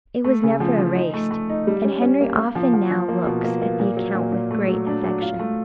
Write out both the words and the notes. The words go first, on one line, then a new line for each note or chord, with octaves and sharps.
It was never erased, and Henry often now looks at the account with great affection.
A3
C#3
F3
F3
D#4
A3
A3
D#4
G3
C#4
C#4
A#3
A#3
F3
F3
F3
A#3
B2
A#3
A#3
A#2
F#3
A#2
A#2
A3
F#3
D4
F#3
F4
A3